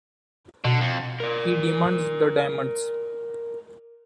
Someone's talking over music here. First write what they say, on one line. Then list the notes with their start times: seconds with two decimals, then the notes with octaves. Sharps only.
He demands the diamonds.
0.64 B2 D3
0.81 F2
1.20 A#4 D5